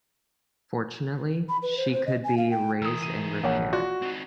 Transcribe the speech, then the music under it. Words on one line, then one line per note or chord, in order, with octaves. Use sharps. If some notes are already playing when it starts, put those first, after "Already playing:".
Fortunately, she could be raised and repaired.
B5
B4
C5
C5
D#5
G#5
F5
G5
E3 A#4 D#6 E6
D#7
A#1 A#3 C#5 F#5
F4 F#4 D5 F#6
C4 D#4